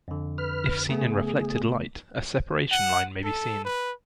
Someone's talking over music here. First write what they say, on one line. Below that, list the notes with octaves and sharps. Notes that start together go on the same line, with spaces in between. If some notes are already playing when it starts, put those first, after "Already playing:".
If seen in reflected light, a separation line may be seen.
F2 D3
B4 F6
C#3 A3 B3 G#4
F#5
A4
B4